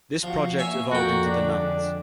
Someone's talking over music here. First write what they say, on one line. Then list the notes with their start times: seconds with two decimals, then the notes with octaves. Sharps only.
This project evolved into The Nuns.
0.23 F3 F#4 F5
0.59 A#3 C#5 E5 G#5
0.91 F2 A#3 F#4 A#4 G5
1.26 D3 G#3 D4